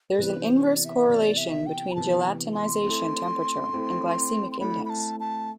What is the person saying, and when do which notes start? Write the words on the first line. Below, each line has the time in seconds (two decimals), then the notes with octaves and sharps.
There is an inverse correlation between gelatinization temperature and glycemic index.
0.14 A4
0.18 C3 E3 B3 B4
0.42 C5
0.63 D5
0.85 E5
1.07 C3 E3 B3 D5
1.37 E5
1.66 G5
1.91 B5
1.95 C3 E3 B3 A5
2.54 C6
2.84 A3 C4 E4 A4
3.73 A3 C4 E4 A4
4.52 C6
4.60 A3 C4 E4 A4 B5
4.85 B5
4.89 A5
5.20 A5